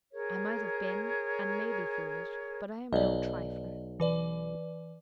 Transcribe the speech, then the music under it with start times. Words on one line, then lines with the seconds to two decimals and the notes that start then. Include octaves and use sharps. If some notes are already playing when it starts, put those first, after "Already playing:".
I might have been and may be foolish; but I am no trifler.
0.12 G#4 A#4 C#5
2.93 B1 D5 D#5
4.00 E3 B4 D5